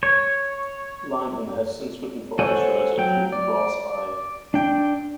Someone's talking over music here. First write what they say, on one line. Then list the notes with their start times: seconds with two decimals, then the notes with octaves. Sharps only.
Linehan has since written for other shows, including "Brass Eye".
0.03 C#5
2.39 A4 C5 C#5 F#5 G#5
2.98 F#3 G5
3.32 D5
4.54 D4 G5